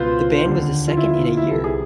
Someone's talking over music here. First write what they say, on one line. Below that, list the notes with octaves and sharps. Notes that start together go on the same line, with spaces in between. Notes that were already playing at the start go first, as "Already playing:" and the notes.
The ban was the second in a year.
Already playing: C#2 B2 F4 B4 C5
D#2 D3
F4
E4
E4
E4
E4
C2 C3 E3 A4
G#4